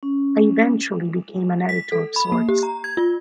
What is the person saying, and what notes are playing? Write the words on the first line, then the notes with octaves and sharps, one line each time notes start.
I eventually became an editor of sorts.
C#4
B6
A4
B5
A#3
G4
A#5
G#6
F4